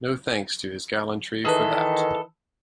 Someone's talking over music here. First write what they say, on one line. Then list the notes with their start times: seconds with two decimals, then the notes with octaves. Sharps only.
No thanks to his gallantry for that.
1.45 D#3 E3 G#4 A4 B4